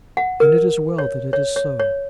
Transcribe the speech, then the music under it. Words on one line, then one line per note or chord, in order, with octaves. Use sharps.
And it is well that it is so.
F#5
A#4
C#5
C#5
C#5
C#5